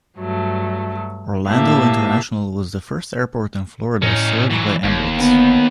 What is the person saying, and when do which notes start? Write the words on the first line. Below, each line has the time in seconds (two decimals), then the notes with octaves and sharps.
Orlando International was the first airport in Florida served by Emirates.
0.17 G2 F#3 A3
1.47 A2 A#3 G4 E5 A5
4.02 A2 C#4 D#4
4.50 E3 F#3
4.84 G1 D#2
5.18 B3